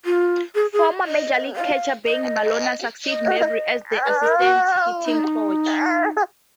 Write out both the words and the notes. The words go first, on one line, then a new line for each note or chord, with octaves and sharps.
Former major league catcher Bengie Molina succeeded Mabry as the assistant hitting coach.
F4
G#4
G#4
D#5
F5
D#5
D#5
B4
A#4
F#4
D#4